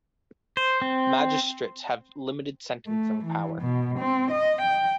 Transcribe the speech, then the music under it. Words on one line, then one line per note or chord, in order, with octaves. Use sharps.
Magistrates have limited sentencing powers.
C5
C4
A3
E3
B2
C4
D#5
G5